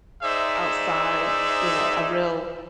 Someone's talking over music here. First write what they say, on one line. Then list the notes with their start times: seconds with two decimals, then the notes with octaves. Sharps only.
outside, you know, a real
0.23 D#4 G#4 C5 D5 E5